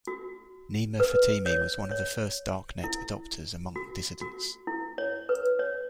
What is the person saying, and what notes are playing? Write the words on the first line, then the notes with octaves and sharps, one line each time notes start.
Nima Fatemi was one of the first Darknet adopters among dissidents.
F#4
B4
C#5
C#5
E4
F#4
F#4
E4
C#5
B4
C#5